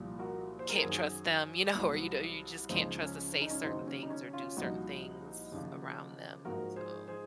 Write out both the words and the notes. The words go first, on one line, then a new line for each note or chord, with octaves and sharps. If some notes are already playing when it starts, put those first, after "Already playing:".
can't trust them, you know, or you do you just can't trust to say certain things, or do certain things around them, so
Already playing: C2 A#2 F3
F#4 A#4
C5
A#4
F#2 D#3 F#3 G#4 C5
C2 C3 F#3
C#2 C#3 F3 C4 D#4
C#4
C#4
D#4
C#4
D#2 C#3 F#3 C4 D#4
C#4
D#4
C#4
C#4 F4
C2 A#2 F3 D#4 F#4
D#2 C#3 F3
G#2 F3 F#4 A#4
G#4 C5
G#4 C5